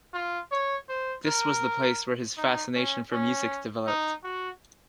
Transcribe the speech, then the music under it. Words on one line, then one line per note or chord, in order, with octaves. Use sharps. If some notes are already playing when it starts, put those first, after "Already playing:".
This was the place where his fascination for music developed.
F4
C#5
C5
A#4
D#4
C#4
C#4
D#4
F#4